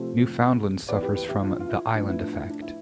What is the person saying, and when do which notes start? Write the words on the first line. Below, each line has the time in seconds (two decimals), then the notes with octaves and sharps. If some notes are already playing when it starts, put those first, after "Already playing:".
Newfoundland suffers from "the island effect".
Already playing: C3 F3 A3 C4
0.89 B3 B4 D5
0.93 E3
1.02 G4 B4
1.15 G4 B4
1.29 E4 G4
1.43 D4 F4
1.60 F4
1.69 E4
1.95 A2 F3 B3 D4
2.08 E4
2.22 D4
2.35 E4
2.49 D4
2.62 E4